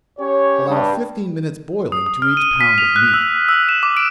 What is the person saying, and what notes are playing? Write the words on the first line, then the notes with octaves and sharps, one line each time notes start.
Allow fifteen minutes boiling to each pound of meat.
C#4 G4 C#5
G2
D#6
D#6
F6
D#7
B6
F7
F#6
E6
E6
E7
D6
D7